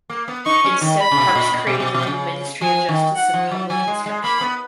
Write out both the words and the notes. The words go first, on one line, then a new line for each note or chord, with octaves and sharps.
Instead Parkes created the new ministry of justice and public instruction.
A#3
B3
D#4 C#6
C#4
D#3
B5
C#3
B2
G#2
A#2
A#2
B2
B2
B2
C#3
F3 G#5
D#3
F#5
F3
F#3
F#3 G#5
G#3
G#3
A#3 B5
B3